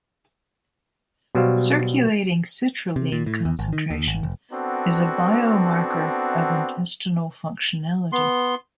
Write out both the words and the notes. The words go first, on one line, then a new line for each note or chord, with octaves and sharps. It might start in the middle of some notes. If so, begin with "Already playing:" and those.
Circulating citrulline concentration is a biomarker of intestinal functionality.
B2 F#3 G3 C5 F5
C3
A#2
A2
E2
G#1
D#3
D#2
G#1
F1
B3 C4 D4 F#4 A4
B3 C6